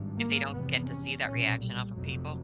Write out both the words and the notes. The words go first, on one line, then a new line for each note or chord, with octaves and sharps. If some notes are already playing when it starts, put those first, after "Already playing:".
If they don't get to see that reaction off of people,
Already playing: G#1 G2
A#3
F1 E2 C3 B3
C#4
B1 A#2 C#4
G3
F1 F2 C3 F#3